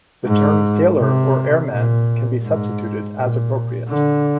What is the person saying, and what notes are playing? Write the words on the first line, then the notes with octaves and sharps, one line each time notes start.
The term "Sailor" or "Airman" can be substituted, as appropriate.
G#2
C3
A#2
G#2
A#2
D3